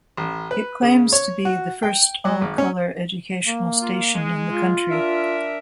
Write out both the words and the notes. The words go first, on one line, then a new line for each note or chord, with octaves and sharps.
It claims to be the first all-color educational station in the country.
A1
B4
C#3
C#5
F#4
G5
F#3
G#1
C#4
A#3
F4
G#3
F4
D4 A#4 E5